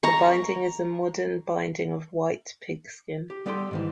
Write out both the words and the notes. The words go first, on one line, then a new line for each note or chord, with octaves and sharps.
The binding is a modern binding of white pigskin.
A#5 C#6
G4
G3 B3 G4 A4 G5 C6
G#2 D#3 E3